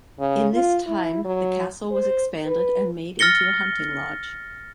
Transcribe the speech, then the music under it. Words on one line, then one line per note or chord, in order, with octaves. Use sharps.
In this time, the castle was expanded and made into a hunting lodge.
C#3
F4
E4
F#3
C5
B4
F6 A6 A#6 C#7 G7